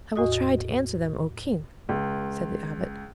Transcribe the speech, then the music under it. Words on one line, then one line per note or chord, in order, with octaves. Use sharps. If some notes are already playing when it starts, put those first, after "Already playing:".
"I will try to answer them, O king!" said the abbot.
E2 A2 F#4 D#5 D#6
C#2